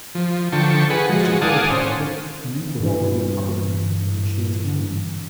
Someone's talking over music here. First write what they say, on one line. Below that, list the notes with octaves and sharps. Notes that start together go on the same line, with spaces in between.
Mr. Quarterpage looked an enquiry over the top of a decanter which he was handling.
F3
D3 F3 G5 A5 C#6
G#4 B4 F#5
F3 G#3 F#4
D5 F5 F#5 G#5 A5 D#6
C#4 C5
G2 E3